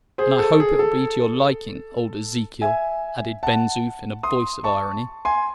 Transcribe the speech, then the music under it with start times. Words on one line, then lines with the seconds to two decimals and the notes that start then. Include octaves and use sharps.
"And I hope it will be to your liking, old Ezekiel!" added Ben Zoof in a voice of irony.
0.18 G#4 C5
0.39 A4
0.60 G#4
0.79 A4
2.62 E5 G#5
3.43 F#5 A5
4.23 C6 D#6
4.64 A5 C#6
5.25 G#5 C6